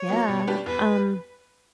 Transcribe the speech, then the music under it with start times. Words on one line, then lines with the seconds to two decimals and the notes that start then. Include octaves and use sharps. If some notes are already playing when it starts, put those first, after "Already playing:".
Yeah, um,
Already playing: C#5
0.09 F#3 B3
0.28 B2
0.47 G3 D4 G4 B4
0.66 E2 B4